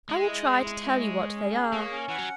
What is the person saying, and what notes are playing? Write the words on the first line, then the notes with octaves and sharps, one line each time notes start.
I will try to tell you what they are.
G#3 E4
D#5
G#4
E4
E4
C#5
G#4
C#4
G#4
A#3 C#5
C#4
E3 F#5
F#3